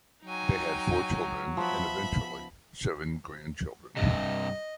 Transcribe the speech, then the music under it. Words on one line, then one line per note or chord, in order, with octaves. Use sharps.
They had four children and eventually, seven grandchildren.
F#3 D#4 G5 G#5
F3 B3 E5 B5
G2 C3 D#5